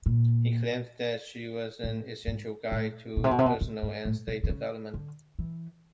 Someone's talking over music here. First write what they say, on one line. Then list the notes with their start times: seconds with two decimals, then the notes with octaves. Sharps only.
He claimed that she was an essential guide to personal and state development.
0.06 A#2
1.84 A2
2.27 G#2
2.72 A2
3.17 B2
3.24 C3
3.31 B2
3.39 C3
3.46 B2
3.61 C3
3.83 G#2
4.05 A2
4.28 C3
4.43 D3
4.49 C#3
4.94 D3
5.39 E3